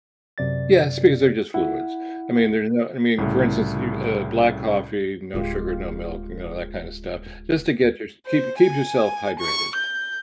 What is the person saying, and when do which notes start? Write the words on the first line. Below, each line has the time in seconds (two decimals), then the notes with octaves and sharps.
Yes, because they're just fluids, I mean, there's no I mean, for instance, you uh, black coffee, no sugar, no milk, you know, that kinda stuff, just to get your keep keep yourself hydrated,
0.38 F#2 C3 D5 A6
1.54 E4 F#5
3.18 C2 A2 C#3
5.34 D1 G#3 F4 G4
8.27 C5
8.59 G#5
9.40 C#6
9.76 G6